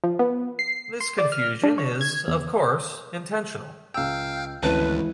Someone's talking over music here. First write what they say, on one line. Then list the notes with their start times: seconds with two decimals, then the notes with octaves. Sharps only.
This confusion is, of course, intentional.
0.04 F3
0.19 B3
0.59 C7
1.00 C6
1.18 D5
1.32 F6
1.63 D4
1.78 C#5
2.01 G#6
2.28 E2
3.94 C#2 F5 G5 E6
4.63 G#1 D2 E3 G#3 C#4 E4 B4 A5